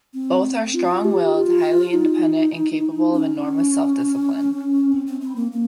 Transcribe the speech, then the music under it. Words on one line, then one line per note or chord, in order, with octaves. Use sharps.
Both are strong-willed, highly independent, and capable of enormous self-discipline.
C4
F4
G4
F4
D#4
C#4
C4
C4
C4
A#3
A#3